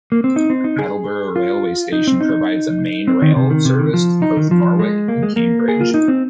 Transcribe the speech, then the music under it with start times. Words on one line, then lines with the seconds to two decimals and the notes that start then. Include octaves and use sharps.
Attleborough railway station provides a main line rail service to both Norwich and Cambridge.
0.12 A#3
0.24 C4
0.36 D#4
0.50 C4
0.64 D#4
0.79 G#4
1.36 F4
1.92 D#4
2.07 C4
2.21 D#4
3.08 C4
3.22 D#3
3.36 C3
3.50 D#3
3.65 C3
3.79 D#3
3.94 F3
4.22 D#4
4.37 D#3
4.51 F3
4.79 G#3
5.08 A#3
5.23 G#3
5.36 A#3
5.68 G#4
5.81 F4
5.94 D#4
6.08 C4